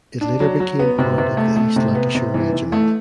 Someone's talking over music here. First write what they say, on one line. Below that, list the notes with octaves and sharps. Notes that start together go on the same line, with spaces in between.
It later became part of the East Lancashire Regiment.
D4
F#3
F#3
B3
C3
C3
A3
A3
C3
B3
C3
E3
E3
A3